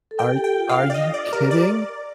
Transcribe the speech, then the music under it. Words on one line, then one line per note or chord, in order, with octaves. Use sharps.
Are are you kidding?
A4
A#4 G5
G4
A4
G5
F4
F5
D4
D5
D#5
D5
G4 A#4
D5